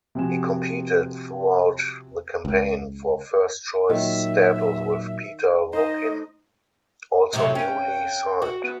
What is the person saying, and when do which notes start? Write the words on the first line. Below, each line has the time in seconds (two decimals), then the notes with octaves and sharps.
He competed throughout the campaign for first-choice status with Peter Luccin, also newly signed.
0.15 C3 F3 C4 F#4 G#5 E7
2.45 C#2
3.90 A#2 D#3 F#3 E5
5.73 D#4 C5 D#5
7.33 A2 C3 F#3
7.55 C#4 G5
8.42 F#4
8.64 B3